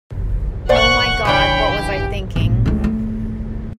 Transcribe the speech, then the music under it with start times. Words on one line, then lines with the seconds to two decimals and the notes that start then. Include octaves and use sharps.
Oh my God, what was I thinking?
0.69 A#2 C5 D5 F#5 C#6 F#6
1.25 C#3 E3 D4 C#5 G5 B5
1.67 G4
2.36 G#1 A#2
2.66 C#2 A3
2.84 A3